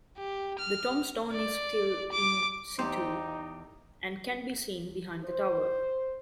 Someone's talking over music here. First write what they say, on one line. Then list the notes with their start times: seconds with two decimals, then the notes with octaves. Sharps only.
The tombstone is still "in situ" and can be seen behind the tower.
0.17 G4
0.59 F6
1.31 D5
2.12 D6
2.79 E2 D#4 G4 C5
5.25 C5